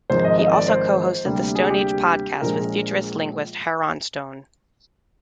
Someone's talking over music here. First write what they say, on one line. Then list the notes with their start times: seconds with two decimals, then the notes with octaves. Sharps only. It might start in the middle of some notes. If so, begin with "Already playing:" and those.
He also co-hosted the Stone Ape Podcast with futurist linguist Heron Stone.
0.10 G#1 G#2 F3 C5
0.24 D#5
0.38 D#5
0.53 D5
0.68 C5
1.25 D2 C3 G3 A#3
1.55 G#4
1.70 G4
2.41 A#1 A#2 F3 G#3 A#4